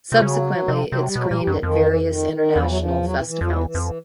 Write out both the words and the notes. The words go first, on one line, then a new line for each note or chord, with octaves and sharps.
Subsequently, it screened at various international festivals.
C3 F3
C#3 F#3
C3 F3
C3 F#3
G3
B2 F#3
G#3
G3
A#2
G3
F#2 D#3
F2 D#3
E3
E3
D#3
D#3
E2 F3
F#3
F3
F#3
E3
E3
F2 F3
E2 E3
E3
F2
E3